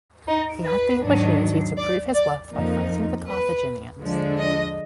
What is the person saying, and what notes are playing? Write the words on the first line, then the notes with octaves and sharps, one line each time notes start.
He had the opportunity to prove his worth by fighting the Carthaginians.
D#4
B4
G#2 D#3 F#3 D4
D5
D5
F2 F3 A#3 D#4
B4
D3 F3 G#3 D4
D#5